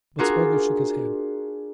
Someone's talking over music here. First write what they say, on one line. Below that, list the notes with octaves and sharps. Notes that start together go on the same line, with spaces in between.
But Spargo shook his head.
D4 F4 F#4 G#4 A#4